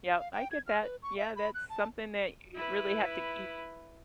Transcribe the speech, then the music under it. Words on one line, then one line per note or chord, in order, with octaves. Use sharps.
yep, I get that. Yeah, that's something that you really have to keep
F5
G5
G#6
F6
B4
C#6
E5
B5
F#6
A5
E4 B4